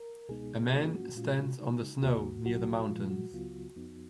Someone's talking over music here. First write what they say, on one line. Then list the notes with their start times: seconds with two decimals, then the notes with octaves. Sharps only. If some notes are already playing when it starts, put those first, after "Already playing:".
A man stands on the snow near the mountains.
Already playing: A#4
0.29 C#2 B2 G#3 B3 D#4 G#4
0.72 G#2 F#3 A#3 C#4 F4 F#4
0.84 G#4
0.96 F#4
1.15 A#2 G#3 C#4 F4
1.59 C#3 G#3 D#4
2.02 D#2 D#3 A#3 F#4
2.46 C#2 B2 F#3 F#4
2.89 A#2 F3 G#3 F4
3.10 F#4
3.32 C#2 C#3 F#3 B3 F4
3.76 F2 F3 B3 D#4